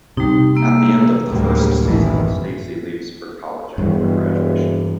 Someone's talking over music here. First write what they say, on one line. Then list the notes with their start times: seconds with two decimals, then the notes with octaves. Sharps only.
At the end of the first season, Stacy leaves for college after graduation.
0.17 C3 G3 D#4
0.55 A#3 E6
1.30 D2 A2 C3 F#3 G3 A#3
1.81 A1 F#2 B2 D#3 E3 G#3
3.78 E1 G2 E3 G3